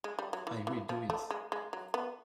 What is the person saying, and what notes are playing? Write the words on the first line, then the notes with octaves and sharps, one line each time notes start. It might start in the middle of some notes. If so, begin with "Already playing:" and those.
I will do it.
G#3
G3
F#3
E3
E3
F3
A3
G#3
G#3
F#3
B3